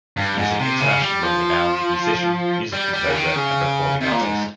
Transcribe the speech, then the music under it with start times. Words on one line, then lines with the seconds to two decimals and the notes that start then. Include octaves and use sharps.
He is an internationally renowned musician, music composer, and recording artist.
0.17 G2
0.38 G#2
0.59 C3
0.80 C#3
1.02 G3
1.23 F3
2.73 G3
2.93 G3
3.06 C#3
3.14 D#3
3.35 C#3
4.01 C3
4.11 A#2
4.21 G#2